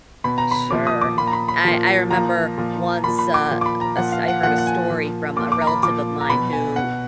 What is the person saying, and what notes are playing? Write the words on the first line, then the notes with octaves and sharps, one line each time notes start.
Sure. I I remember once, uh, us I heard a story from a relative of mine who
B2 B5
A#5
B5
A#2 F3 D6
D#6
D6
A#2 F3 B5
A#5
B5
B5
A#2 F3
A#2 F3 A#5
A#2 F3
A#2 F3 B5
B5
D6
A#2 F3
D6
B5
A#5
A#2 F3 F#5
F5
F#5
A#2 F3 F#5
F#5
G#5
A#2 F3
A#2 F3 D6
D6
A#5
B5
A#2 F3 D6
A#5
B2 B5
G#5
B2 F#5